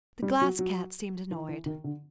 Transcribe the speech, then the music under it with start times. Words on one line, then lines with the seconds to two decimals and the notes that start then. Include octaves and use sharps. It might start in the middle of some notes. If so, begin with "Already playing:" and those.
The Glass Cat seemed annoyed.
0.22 G3
0.41 F#3
0.59 F#3
1.31 E3
1.49 E3
1.66 D#3
1.84 D3